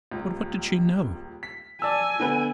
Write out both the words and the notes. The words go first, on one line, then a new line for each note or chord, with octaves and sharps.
"But what did she know?"
D#1 C#2
B6
D5 G#5 A5 E6
D3 B3 B4